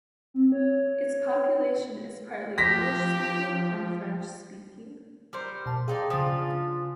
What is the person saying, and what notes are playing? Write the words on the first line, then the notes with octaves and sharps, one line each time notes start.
Its population is partly English-speaking and French-speaking.
C4
C#5
F3 G4 A#6 B6
G3 A#4 C5
B2 A5
G#3 D#4 G#4 D5 F5 G5
C#3 F3 D4 F4 G#5 A6